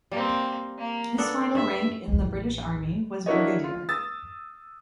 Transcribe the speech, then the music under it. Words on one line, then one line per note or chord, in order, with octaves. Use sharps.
His final rank in the British Army was brigadier.
G3 A#3 C4
A#3
B3 D4 A4
G2 E5
A1 E2
D4 E4 F#4 A#4 C#5 D#5
F4
D#6 E6 A6